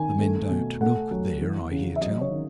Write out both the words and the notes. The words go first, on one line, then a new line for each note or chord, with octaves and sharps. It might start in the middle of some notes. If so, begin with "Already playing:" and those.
The men don't milk there, I hear tell.
Already playing: D#3 G#5
A3
B2
A3 F#5
F#3
E3
C#3
E5
F#3 D#5
C#5
D#3